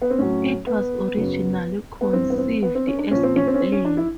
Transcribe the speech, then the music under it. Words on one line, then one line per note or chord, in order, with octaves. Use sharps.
It was originally conceived as a play.
B3
C4
A2 F#3 C#4
B3
F#2 C#3 F#3
B3
G2 E3 C4
B3
C4
B3
C4
C#4
D4
A#2 F3 C#4
C4
C#4
C4
C#4
C4
C#4
D4
E4